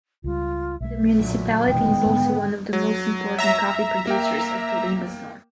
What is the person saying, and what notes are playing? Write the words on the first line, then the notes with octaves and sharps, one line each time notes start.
The municipality is also one of the most important coffee producers of Tolima's north.
C#2 G3 F4
B1 G#3 A3 E5
A#2 D3 F#3
F1 B2 D#3 E3 G#3 B3 G5
G#2 D3
F#3
E5 A#5
A#3 G5